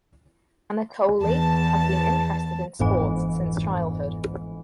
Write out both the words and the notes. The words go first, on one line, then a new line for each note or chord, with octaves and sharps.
Anatoliy has been interested in sports since childhood.
E2 A5
G1 F2 G#2 E3